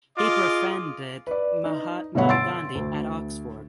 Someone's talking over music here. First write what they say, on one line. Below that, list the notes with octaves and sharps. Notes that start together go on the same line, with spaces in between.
He befriended Mahatma Gandhi at Oxford.
F4 G#4 D#5 D6
B4 D5
D#4
G2 B2 D3 C#5 F#5 B5
C6 E6 A6 D7
D2